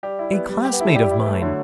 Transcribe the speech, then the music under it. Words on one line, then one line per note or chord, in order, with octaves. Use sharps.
"A classmate of mine."
G3 G4
E4
B3
G3
G4
B3
A3 E4
G3 G4
E4
E3
A3
D3 F#3